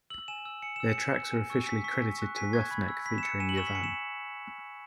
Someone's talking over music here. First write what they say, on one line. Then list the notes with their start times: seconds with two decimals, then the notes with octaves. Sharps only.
Their tracks are officially credited to Ruffneck featuring Yavahn.
0.10 E6 F#7
0.28 G#5 E7
0.45 E6
0.62 G#5 C#7
0.76 E6 E7
0.89 C#7
0.97 G#5
1.14 E6
1.32 G#5
1.50 C#6 E6
1.67 G#5 B6
1.84 C#6 E6 B6
2.02 G#5
2.19 C#6 F#6
2.36 G#5 B6
2.53 C#6 F#6 G#6
2.71 B5 G#6
2.88 E6
3.06 B5 B6
3.18 E7
3.23 E6 C#7
3.40 G#5 E7
3.49 F#7
3.58 C#6 E6 E7
3.67 B6
3.75 G#5 C#7
3.84 E7